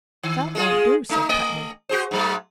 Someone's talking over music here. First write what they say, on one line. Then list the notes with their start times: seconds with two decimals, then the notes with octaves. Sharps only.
"That won't do," said Putney.
0.23 D#3
0.55 G#3 F4 G#4
1.09 A3 D#4
1.29 A3 D#5
1.89 F#4 G#4 C5
2.11 G#2 F#3 A3